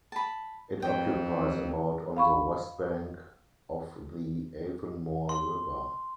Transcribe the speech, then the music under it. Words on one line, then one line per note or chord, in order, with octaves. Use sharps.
It occupies about on the west bank of the Avonmore River.
A5 B5
F2 G5
F5 B5 C#6
C6